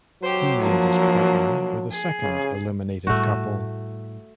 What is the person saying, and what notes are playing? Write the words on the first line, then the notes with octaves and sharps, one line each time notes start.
He and his partner were the second eliminated couple.
F#3 G4 C5
F3 A#3 D4
G#4
C#3
A2 G3 A3 F#4